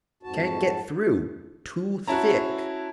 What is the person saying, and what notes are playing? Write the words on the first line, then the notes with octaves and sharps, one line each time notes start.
"Can't get through--too thick!"
F2 G#2 F#4 A5
C#4 E4 F#4 A5 A#5